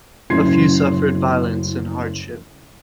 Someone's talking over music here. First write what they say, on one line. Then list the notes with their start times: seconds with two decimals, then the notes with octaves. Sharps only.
A few suffered violence and hardship.
0.30 F#1 F#2 A2 C6 G#6 C7